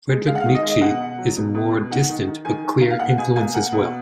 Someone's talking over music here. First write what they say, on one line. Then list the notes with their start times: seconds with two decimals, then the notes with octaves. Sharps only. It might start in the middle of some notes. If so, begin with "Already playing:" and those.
Friedrich Nietzsche is a more distant, but clear, influence as well.
0.09 G#3
0.26 G#3 F5
0.35 F#5
0.40 F5
0.46 D#3
0.55 D#5
0.63 G#3
0.68 D#5
0.81 B2 F#5
1.00 B2
1.18 F#3
1.36 B2
1.55 B2
1.73 B2
1.90 D#3 F#5
2.09 D#3
2.27 D#3
2.45 D#3 G#5
2.64 D#3
2.81 A#3
2.90 F5
2.99 B2 F#5
3.18 B2 G#5
3.36 A#3 G#5
3.55 A#3 F#5
3.72 B2